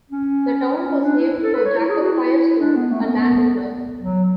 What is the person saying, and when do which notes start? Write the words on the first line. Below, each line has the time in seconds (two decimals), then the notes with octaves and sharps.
The town was named for Jacob Firestone, a landowner.
0.10 C#4
0.73 C#4
0.88 C#4
1.04 D4
1.19 E4
1.43 A4
1.54 B4
1.66 C#5
1.78 E4
1.89 G#4
2.01 F#4
2.13 E4
2.60 D4
2.76 B3
2.91 A3
3.01 C#4
3.08 B3
4.02 F#3